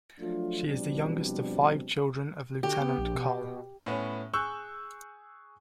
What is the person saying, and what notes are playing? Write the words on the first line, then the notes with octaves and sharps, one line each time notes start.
She is the youngest of five children of Lt.-Col.
F3 F#3 A3 D4 F4
B2 F3 G3 C4 D4
D3 F#4 G4
B3
A#1
B2
A2 B3 C#4
G#4 C#6 E6 F#6 G6